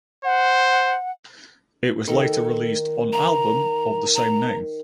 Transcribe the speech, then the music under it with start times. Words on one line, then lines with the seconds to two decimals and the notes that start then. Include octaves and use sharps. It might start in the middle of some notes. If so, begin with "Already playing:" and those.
It was later released on album of the same name.
0.25 C5 F#5
2.07 D#3 A4
3.13 A#5
4.15 A#5